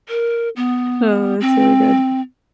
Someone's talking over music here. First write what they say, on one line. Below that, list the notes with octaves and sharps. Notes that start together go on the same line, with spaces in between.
Oh, that's really good.
A#4
B3
C4